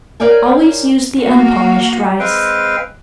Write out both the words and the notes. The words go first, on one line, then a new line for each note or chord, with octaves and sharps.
Always use the unpolished rice.
A#4 C#5 D5 F5 G5 G#5
A#3 F#4
G#3 C4 B4 F5 G5